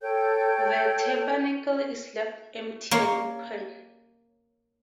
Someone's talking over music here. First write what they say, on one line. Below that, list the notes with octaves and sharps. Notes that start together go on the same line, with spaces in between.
The tabernacle is left empty and open.
A4 C#5 G5 G6
A#3 A#4 C#5